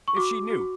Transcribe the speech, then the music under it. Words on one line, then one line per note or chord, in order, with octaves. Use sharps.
If she knew!
C#6
F#4 D6
F#4